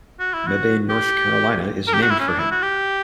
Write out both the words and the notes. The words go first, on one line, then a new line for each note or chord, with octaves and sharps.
Mebane, North Carolina is named for him.
F#4
E4
F#4
G4
A#4
G4
F#4
E4
C#4
D4
E4
F#4
G4